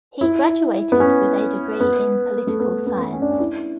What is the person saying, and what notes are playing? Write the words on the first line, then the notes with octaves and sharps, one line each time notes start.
He graduated with a degree in political science.
E4
B3
C#4
B3
A3
B3
B3
C#4
B3
C#4
D4
C#4
E4